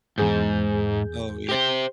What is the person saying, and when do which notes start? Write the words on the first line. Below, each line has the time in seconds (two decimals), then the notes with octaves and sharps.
Oh, ye
0.18 E2 G#2 G#4 G6
1.49 G4 C5